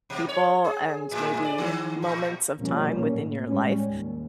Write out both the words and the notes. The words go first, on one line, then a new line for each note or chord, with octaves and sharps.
people and maybe moments of time within your life,
B2
C#5
G#4
A2
D5
D#3
A#2
B2 F3 G3 A#3 C#4
A2
G3 G#3 C#4
D#2